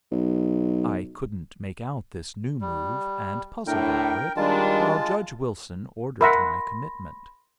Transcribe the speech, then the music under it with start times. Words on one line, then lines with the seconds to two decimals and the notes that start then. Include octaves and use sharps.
I couldn't make out this new move, and puzzled over it, while Judge Wilson ordered my commitment.
0.11 B1
2.61 G3
3.67 A2 D4 E4 A#4 G5
4.37 D#3 G3 G#3 D4 F4 A5
6.21 A#4 E5 F#5 B5 C6 A#6